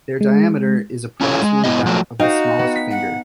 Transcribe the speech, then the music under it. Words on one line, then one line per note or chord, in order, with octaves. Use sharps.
Their diameter is approximately that of the smallest finger.
G#3
C#4 E4 F4 A4 C#5
G#3
G#2 D3 B3 E4 D#5
F3 F#3 A3
D#4 F#4 F5 G5
B3
B6
F#5